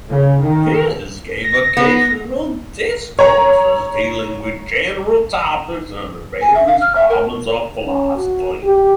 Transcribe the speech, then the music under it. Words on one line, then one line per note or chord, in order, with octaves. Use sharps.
His gave occasional discourses, dealing with general topics and various problems of philosophy.
C#3
D#3
A#6
B3
C#5 A#5
G#5
E5
F5
F6
E5
A#4
C#4
F#4
G4